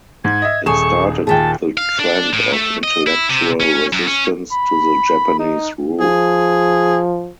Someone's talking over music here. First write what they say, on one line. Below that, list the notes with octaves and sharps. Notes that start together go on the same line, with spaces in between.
It started the trend of intellectual resistance to the Japanese rule.
G#2 G#6
D#5 E5
D#1 G#4 A4 G#5 C#6 E7
D#2 A#2 G#4 E5 G5 A5
F5
D4
A2
A3
D#5
E4
C3
C#4
F#2
C#4
B5
D#4
F3 G#4